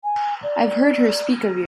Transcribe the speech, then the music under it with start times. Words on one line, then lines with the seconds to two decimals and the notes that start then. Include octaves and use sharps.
I've heard her speak of you.
0.03 G#5
0.42 D5